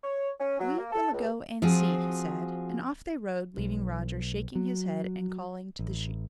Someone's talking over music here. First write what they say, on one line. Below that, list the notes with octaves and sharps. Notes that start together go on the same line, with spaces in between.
"We will go and see!" he said; and off they rode, leaving Roger shaking his head and calling to the sheep.
C#5
C#4
F#3
A#3
A4
C#2
F3 C4 F4 F#4 G#4
B1
F#3
A1